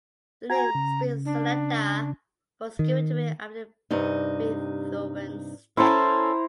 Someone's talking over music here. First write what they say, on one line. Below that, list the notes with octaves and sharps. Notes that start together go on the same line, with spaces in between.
The name "Spring Sonata" was given to it after Beethoven's death.
F#4 G#5 A#5
C#3
D4
D#3
G2 C3 D#4
C#4 E4 A4 C5 A#5